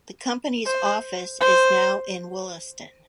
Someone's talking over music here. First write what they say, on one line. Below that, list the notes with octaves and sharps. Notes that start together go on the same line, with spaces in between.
The company's office is now in Wollaston.
C5
C5